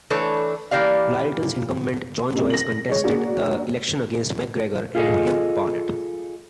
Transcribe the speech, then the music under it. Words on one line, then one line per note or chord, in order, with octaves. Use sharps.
Lyttelton's incumbent, John Joyce contested the election against McGregor and William Barnett.
E3 A3 D4 A4 B4 C#5
E3 A#3 G4 D5 F5
C3 G#3 C4
A#6 F#7
G#3 C#5
A#3 D4 F#4 G#4
F4 G#4 A4 D#5